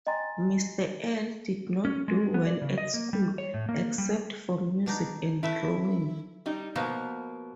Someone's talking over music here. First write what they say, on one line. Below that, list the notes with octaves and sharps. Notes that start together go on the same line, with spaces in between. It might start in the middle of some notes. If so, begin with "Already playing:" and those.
Mr L did not do well at school - except for music and drawing.
D#5 G5 G#5 A#5 C6 A6
C#4
G#3
B3
D5
C#3
D#5
A#3
G3
C#5
A2
A#3
G3
B2 D4 D#4
A3 E4 B4 E5
G3 D#4
B2 F3 A#3 B3 D#4